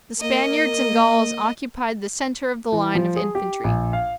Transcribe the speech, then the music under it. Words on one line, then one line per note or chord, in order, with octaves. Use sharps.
The Spaniards and Gauls occupied the centre of the line of infantry.
A#3 D#5
E3
F3
G#4
G4
A#1
F5